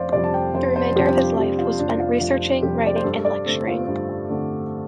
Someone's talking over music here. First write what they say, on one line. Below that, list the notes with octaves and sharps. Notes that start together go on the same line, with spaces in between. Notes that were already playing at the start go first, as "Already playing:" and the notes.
The remainder of his life was spent researching, writing, and lecturing.
Already playing: F1 C5 D5 F5
F2 C3 G3 D5
A5
G5
F1 C5
C5
F2 C3 G3 G4
D4
F4
F1 G4
F4
F2 C3 G3 D4
F4
F1 F4
F2 C3 G3 G4
D5
C5
G2 A4
D5
D3 A3 C4 A4
F4
G2
D3 A3 C4